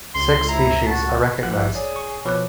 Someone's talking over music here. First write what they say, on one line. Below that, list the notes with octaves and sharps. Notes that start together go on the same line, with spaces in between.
Six species are recognized.
C#2 C6
C3 E4 A#5
F#4 A5
A1 E3 F3 F#5
G#4 C#5 D5
C#6
B2 F3 B4 C#5 D6 F#6